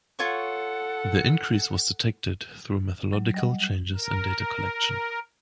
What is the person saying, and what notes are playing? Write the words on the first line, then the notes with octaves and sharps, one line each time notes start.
The increase was detected through methodological changes in data collection.
F4 A4 C#5 F#5 C#6
F#3
G3 D#5 F#5
A#4